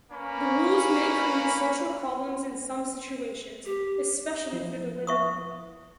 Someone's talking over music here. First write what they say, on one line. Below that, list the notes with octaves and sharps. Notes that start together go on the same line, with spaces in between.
The rules may create social problems in some situations, especially for the widow.
A#3 C#4 B4 B5
G4
F3 E4
E5 C#6 D#6